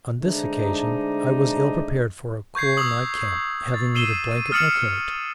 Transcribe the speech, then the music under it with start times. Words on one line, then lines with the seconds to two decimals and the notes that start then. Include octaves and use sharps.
On this occasion I was ill prepared for a cool night camp, having neither blanket nor coat.
0.20 D3 G#3 A3 C4 D4 D#4
2.55 C#6 G6 G#6 C7
2.77 C#6 D#6 E6 F#7
3.74 A6
3.95 E6 C7 D#7 E7 G7
4.31 D#7
4.51 D#6 F6 A6 C#7 E7 F#7